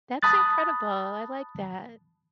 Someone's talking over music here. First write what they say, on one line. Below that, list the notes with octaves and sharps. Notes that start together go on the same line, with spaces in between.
That's incredible, I like that.
A5 B5 D#6 F#6 A6